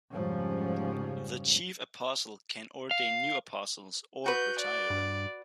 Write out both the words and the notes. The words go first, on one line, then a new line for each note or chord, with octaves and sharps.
The Chief Apostle can ordain new apostles or retire them.
F1 G#2 C#3 F3 G3 C#4
F5
F#4 B4 G6
D5
G2